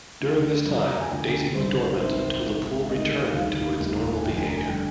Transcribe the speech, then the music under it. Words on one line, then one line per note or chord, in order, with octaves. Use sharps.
During this time, Daisy was dormant until the pool returned to its normal behavior.
D2 D3 F3
F2 C3 G3
A#5
G#5
D2 D3 F3 G5
G5
G#1 G2 D3 G3 C5
C2 C3 D#3 C5
G#1 G#2 F3
D2 C3 D#3 D#5
F1 D#2 D#3 G3 F5
F1 D#2 D#3 G3
G#5
F1 F2 D3 F3 G5
G#5
A#5
G#5
D3 G3 G5